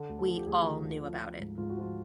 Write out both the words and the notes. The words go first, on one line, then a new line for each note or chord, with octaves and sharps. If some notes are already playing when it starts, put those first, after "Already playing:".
We all knew about it.
Already playing: D3
D2
A4
F3
G4
D2 G#4
D3
D2
F3
F3
G#2
G#2 F4
F#4
F3 F4